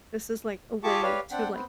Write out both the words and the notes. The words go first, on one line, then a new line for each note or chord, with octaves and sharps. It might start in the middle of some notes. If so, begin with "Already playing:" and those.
this is, like, a way to, like,
F4 G4 G#4 A5 C#6 D6
G4 B4 C#5 D5 F5
C4 D4 F#5 G5
B3 C4